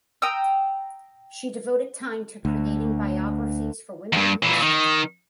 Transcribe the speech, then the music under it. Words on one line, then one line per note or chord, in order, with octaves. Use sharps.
She devoted tine to creating biographies for woman in history.
G5 A#5 D#6 E6
D2
E2 G2
A#2 E3
D#3